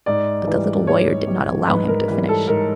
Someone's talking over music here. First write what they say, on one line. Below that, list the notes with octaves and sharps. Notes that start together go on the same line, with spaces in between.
But the little lawyer did not allow him to finish.
G#2 D5
E3 G3
G#2 C#5
E3 G3
G#2 B4
A#4
E3 G3 B4
A4
G#2 A#4